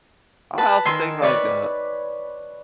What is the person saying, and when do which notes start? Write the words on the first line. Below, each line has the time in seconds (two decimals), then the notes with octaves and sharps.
I also think, like, uh,
0.58 B4 A5 B5
0.85 D#3 G#5 C6 E6
1.22 B4 C#5 D5